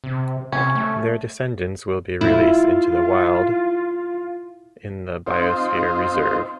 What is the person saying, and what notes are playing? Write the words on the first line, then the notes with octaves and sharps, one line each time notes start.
Their descendants will be released into the wild in the Biosphere Reserve.
C3
C3 C#4
A3
E4 F4
C4 D#4 F4 C5